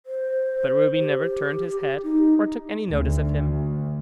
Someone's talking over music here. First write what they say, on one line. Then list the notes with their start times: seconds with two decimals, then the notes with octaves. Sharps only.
But Ruby never turned his head, or took any notice of him.
0.06 C5
0.99 G4
2.03 D#4
2.90 D2